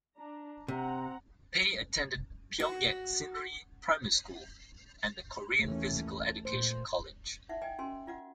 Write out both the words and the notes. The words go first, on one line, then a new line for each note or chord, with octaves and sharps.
Pae attended Pyongyang Sinri Primary School and the Korean Physical Education College.
D4 A#5
C3 C4 F#5 A#5
F#4
D#2 E3 A3 C#4
A#2 C5
D#4 E5 F#5
D5 D#5 G5 G#5
C#4 F#4 A#4 G#5 C6
F4 D5 F#5